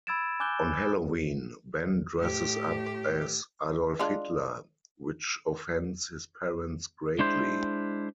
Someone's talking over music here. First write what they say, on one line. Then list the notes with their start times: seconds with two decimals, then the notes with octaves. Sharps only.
On Halloween, Ben dresses up as Adolf Hitler, which offends his parents greatly.
0.07 B5 E6 G#6 A6 D7 E7
0.40 G#5 D6 F#6 G6 G7
2.16 A2 G4
3.99 G#3 D4 F4
7.19 G#3 D4 E4 C5